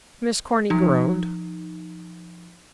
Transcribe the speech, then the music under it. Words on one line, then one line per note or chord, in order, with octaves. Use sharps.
Miss Corny groaned.
F3 D#4